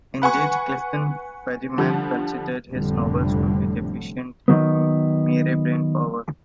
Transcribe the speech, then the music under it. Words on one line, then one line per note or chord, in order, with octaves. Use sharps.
Indeed, Clifton Fadiman considered his novels to be deficient in mere brain-power.
B4 F#5 G#5 C#6
D3 F3 G3
F1 F2 A2 D3 G3
D#3 F#3 B3